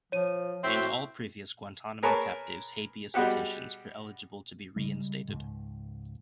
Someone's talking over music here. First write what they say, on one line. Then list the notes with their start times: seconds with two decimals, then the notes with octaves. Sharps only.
And all previous Guantanamo captives' habeas petitions were eligible to be re-instated.
0.12 F3 C#5 D#7
0.64 A2 C4 F#4 E5 G6
2.03 G#4 A#4 B4 C#5 G#5 A5
3.14 G3 G#3 B3 F#4 G4
4.76 C#3 G3 G#3
5.28 C#2 G#2